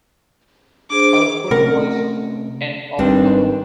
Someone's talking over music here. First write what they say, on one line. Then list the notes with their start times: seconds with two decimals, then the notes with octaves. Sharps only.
Output was and of torque.
0.90 D4 G#4 C5 D6
1.51 C3 A3 C#4 A#4 F#5
2.99 G#1 D#3 G3 C4 D4 B4